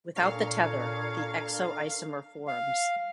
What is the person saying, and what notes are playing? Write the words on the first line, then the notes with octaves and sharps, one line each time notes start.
Without the tether, the exo isomer forms.
A#2 D4 A4 A#4 C#5 F5
F5